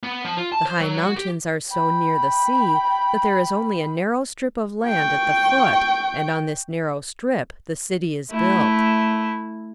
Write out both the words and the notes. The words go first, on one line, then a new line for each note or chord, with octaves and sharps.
The high mountains are so near the sea that there is only a narrow strip of land at the foot and on this narrow strip the city is built.
B3
F3
F4
A5
C5
F#3
F#4
G4
G5 B5
G5 C#6
A3 E4